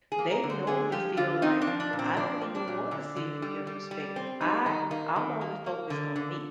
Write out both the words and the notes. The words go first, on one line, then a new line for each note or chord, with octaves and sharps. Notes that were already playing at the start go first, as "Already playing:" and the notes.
they normally feel, like, “I don't even wanna see it from your perspective, I w I'm only focused on me,
G#4
A#3
A#4
D3
C5
D3 G#4
F3 G4
D3 F4
C4 D#4
D4
F3
D4
A#2
C4
F3 D4
C4
D4
A#2
D3
D3
G3
G3
G3
C4
G3 D#4
D#3 D#4
A#3 D#4
D#3
A#3
A#3
D3
D3